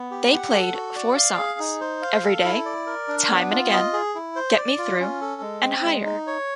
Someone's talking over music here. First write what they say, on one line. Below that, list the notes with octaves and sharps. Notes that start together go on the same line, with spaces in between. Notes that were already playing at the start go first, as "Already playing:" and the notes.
They played four songs: "Everyday", "Time and Again", "Get Me Through", and "Higher".
Already playing: B3
G4
F#5
A4
F#4
D5
F5
G#4
D#4
C5
F5
A4
E4
D5
A#4
D4
B3
F4
D#5
G#4
E4
C5
D5
F4
C#4
A4
G#3
C4
G#3
D#4
C#5